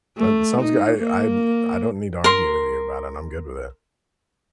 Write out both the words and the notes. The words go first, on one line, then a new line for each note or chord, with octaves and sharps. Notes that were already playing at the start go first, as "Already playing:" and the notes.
That sounds goo I I I don't need to argue with you about it, I'm good with it.
A3
D#4
A#3
A#4 C6